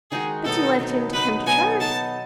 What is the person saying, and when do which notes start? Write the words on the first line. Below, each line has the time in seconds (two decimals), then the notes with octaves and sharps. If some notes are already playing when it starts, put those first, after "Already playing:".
'But you left him to come to church.'
0.11 D#3 G#3 D#4 F#4 G#4
0.45 B2 F#3 B3 D#4 A4
0.79 B2 F#3 B3 D#4
1.13 B2 F#3 B3 D#4 B4
1.46 B2 F#3 B3 D#4 G#5
1.80 B3 D#4 A4 A5